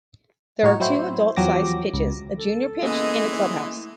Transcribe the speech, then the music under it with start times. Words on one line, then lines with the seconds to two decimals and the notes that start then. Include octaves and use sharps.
There are two adult sized pitches, a junior pitch and a clubhouse.
0.63 A2 D#4 F#4 C#5
0.80 F#3 C4 E4 C5
1.36 E2 F3 F#3 G4 D6 A#6
1.94 C#2
2.38 A4
2.82 E3 G#3 A#3 B3 C#4 D#5
3.29 A3 E4